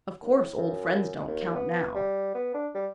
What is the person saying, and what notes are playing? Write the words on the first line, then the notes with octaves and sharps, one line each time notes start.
Of course old friends don't count now.
D#2
A2
F#2
D#2
B3
G3
B3
D4
G3